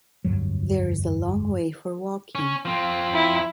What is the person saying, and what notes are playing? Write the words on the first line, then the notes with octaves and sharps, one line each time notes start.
There is a long way for walking.
F1 D2 G2 F#3
C#4
F3 C4
E4